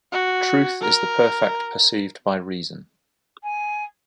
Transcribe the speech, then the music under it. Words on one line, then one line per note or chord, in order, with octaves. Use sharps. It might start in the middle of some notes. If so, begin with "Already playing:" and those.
Truth is the perfect perceived by reason.
F#4
A#4
G#5